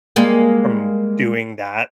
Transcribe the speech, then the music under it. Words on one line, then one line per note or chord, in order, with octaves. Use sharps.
from doing that
G3 G#3 A#3